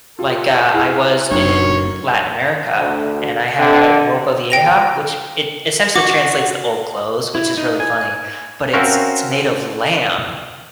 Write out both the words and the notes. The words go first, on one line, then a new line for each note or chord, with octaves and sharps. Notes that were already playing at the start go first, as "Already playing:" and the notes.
Like, uh, I was in Latin America and I had Ropa Vieja, which it essentially translates to old clothes, which is really funny, but it's it's made of lamb
F4 G4 A4
E4 G#4 F6 G6
F#1 F#3 D4 D#4 C#5
D2
D3
G5 A#6 F7
F#4 D6
E4
D#4
G#5
C4 C#4 F#4 A#4 E5 F5